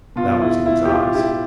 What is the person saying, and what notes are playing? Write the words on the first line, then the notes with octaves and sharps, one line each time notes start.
That was in his eyes.
B2 F4
E4
E4
G4
F4
E4 G4